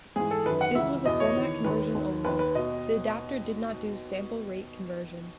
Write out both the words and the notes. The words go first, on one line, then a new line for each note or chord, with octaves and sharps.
This was a format conversion only, the adapter did not do sample rate conversion.
G#2 E3 G#4
A4
F#2 D#3 B4
F#5
C#2 C#3 E3 E5
E2 B2 D#5
C#5
E2 D#3
D#2 D#3 B4
D#2 D#3
D#2 D#3 B4
B4
B2 D#5